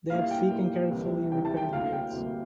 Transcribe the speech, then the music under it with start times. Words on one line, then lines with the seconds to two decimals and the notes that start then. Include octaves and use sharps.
They have thick and carefully repaired beards.
0.10 A#2 G3 A#3 E4 F5
0.31 G5
0.50 A#2 G3 A#3 E4
0.91 C2 C3 E3 G3
1.32 C2 C3 E3 G3 G5
1.45 A5
1.57 G5
1.73 D2 C3 G3 A#3 F5
1.93 G5
2.13 D2 C3 G3 A#3